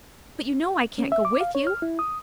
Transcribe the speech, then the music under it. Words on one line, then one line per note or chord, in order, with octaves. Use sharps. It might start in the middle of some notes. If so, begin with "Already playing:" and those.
But, you know I can't go with you.
C#4
E5
D6
F5
C#5
F6
E4
D#6